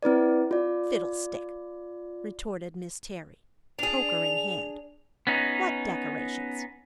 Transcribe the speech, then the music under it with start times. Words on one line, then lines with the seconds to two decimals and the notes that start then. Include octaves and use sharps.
Fiddlestick!" retorted Miss Terry, poker in hand. "What decorations?
0.03 C4 E4 B4 D5
0.51 F4 D5
3.79 D4 G#4 F7
5.27 B3 C#4 D#4